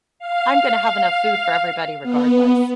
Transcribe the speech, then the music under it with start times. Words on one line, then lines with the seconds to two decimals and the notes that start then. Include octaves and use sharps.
I'm gonna have enough food for everybody regardless.
0.19 F5
2.03 B3